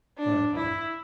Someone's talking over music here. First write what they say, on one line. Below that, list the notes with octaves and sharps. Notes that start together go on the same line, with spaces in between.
Alright, bye-bye.
D4
E4